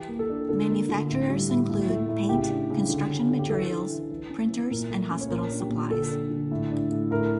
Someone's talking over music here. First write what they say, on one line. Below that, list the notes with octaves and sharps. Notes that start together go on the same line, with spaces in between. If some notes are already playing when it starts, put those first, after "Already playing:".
Manufacturers include paint, construction materials, printers, and hospital supplies.
Already playing: E3 G4
A#3
A4
D4
D3 A4
A#3
D3
A2
G3
A2
A2
A3
A2
C#3 G4
D4
C#3
D3
C#4
D3
G4
E3 A4
D4
E3
E3
C#4
E3
A#2 A#4
A3
C#4
C#5
A#2 A#4
D4
G4
A#2
D3 A4
D4
D3
A2
D4
A2
A2 A#4